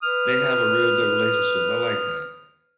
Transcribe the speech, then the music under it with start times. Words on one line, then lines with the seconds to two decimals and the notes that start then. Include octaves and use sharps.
they have a real good relationship. I like that.
0.03 B4 D#6 F6